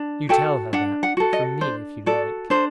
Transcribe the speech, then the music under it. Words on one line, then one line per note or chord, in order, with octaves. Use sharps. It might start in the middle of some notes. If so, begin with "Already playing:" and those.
You tell her that--from me, if you like.
Already playing: D4
F#4 A4 G5
D4 F#5
F#5
F#4 A4
D#5
D4 C5
F#4 A4 D5
D4 C5